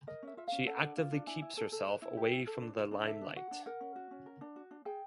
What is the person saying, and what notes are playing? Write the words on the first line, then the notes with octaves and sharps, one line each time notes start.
She actively keeps herself away from the limelight.
A#4 D#5
C#4 E5
F4 E5
C#4 F5
A4 F#5
D4
F4
D4
E4 G#5
E4
A4
A4
B4
E4
G4
E4
A4
D4
F4
D4
A4 E5
D4
F#4 F#5
D4
A#4 F#5
C#4
F#4
C#4
A#4
D4
F#4
D4
G#4 G5